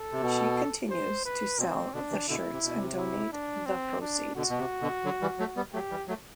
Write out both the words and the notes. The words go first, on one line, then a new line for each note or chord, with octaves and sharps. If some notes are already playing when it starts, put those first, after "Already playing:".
She continues to sell the shirts and donate the proceeds.
Already playing: A4
C3
B2
C5
B4
B2 C4
B2 D3 D4
C3 E3
B2 D3 E4
C3
B2
C3
E4
D4
C4
D4
B2 D3 F#4
B2
C3
B2 D3
D3 F#3
E3 G3
F#3 A3
G3 B3
F#3 A3 G4
E3 G3
F#3 A3